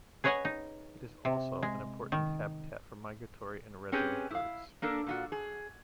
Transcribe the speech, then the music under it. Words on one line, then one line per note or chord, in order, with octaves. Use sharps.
It is also an important habitat for migratory and resident birds.
G#4 B4 C#5 D#5 F#5 G#5
D#4
C3
G#3
D#3
C4 C#4 G4 G#4 B4
E4 F5
A#3 D4 A4 A#4
A#2 F4 F#4
G#4